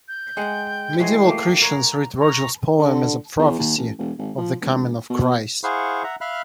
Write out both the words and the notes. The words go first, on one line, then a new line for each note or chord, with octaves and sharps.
Medieval Christians read Virgil's poem as a prophecy of the coming of Christ.
G6
G#3 F#5 G5
E3 F#3 G#3 C7
A3 A#3
A#4 C#5 F#5 A#5
A#5 C#6
D3
E2
D#2
A1
E1
G#1
F3
E1
B2
E4 G#4 C5 F5 F#5 C#6
E5 F#5 A#5
E5 F5 B5 F6 F#6